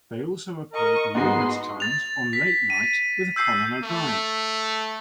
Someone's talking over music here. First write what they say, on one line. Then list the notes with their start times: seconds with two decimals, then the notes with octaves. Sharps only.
They also appeared numerous times on "Late Night with Conan O'Brien".
0.73 A#4 D#5 A#5 C#6
1.15 G#2 G#3 B3 D#4 F#4 C6
1.80 A6 F7
2.33 B6
2.70 D#7
3.36 E6 G6 C7
3.83 A3